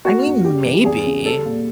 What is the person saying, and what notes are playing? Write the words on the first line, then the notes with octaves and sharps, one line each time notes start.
I mean, maybe.
A#3 F#4
F#2
G3 G4
E3
E2 G#4
C#3
G3 A4
A#2